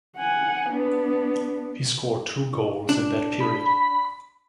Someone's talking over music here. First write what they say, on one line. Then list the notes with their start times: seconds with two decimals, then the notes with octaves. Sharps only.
He scored two goals in that period.
0.17 F#5 G#5
0.70 B3 D4
2.89 D4
3.40 B5